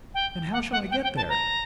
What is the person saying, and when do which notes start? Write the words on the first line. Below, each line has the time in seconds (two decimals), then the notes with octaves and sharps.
"And how shall I get there?"
0.14 G5
0.53 F#5
0.72 F#5
0.91 G5
1.03 G5
1.17 A5
1.29 A#5